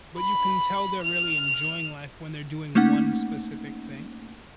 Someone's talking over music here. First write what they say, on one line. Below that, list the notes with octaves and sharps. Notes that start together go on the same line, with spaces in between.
but you can tell they're really enjoying life when they're doing one specific thing.
B5
F6
A3 A#3 C#4 D#4 F#5